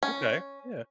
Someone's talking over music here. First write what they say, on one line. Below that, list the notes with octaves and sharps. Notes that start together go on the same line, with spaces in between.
Okay. Yeah.
C#4